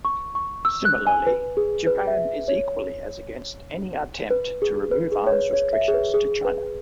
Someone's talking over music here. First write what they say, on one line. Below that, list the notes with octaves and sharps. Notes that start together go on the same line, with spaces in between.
Similarly, Japan is equally as against any attempt to remove arms restrictions to China.
C#6
C#6
E6
F#6
G#5
B4
G#4
B4
E5
C#5
B4
G#4
B4
G#4
C#5
B4
C#5
E5
G#4
B4
G#4
B4